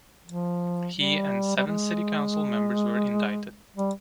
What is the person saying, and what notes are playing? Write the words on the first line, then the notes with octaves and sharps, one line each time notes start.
He and seven city council members were indicted.
F3
G3
G3
G#3
G3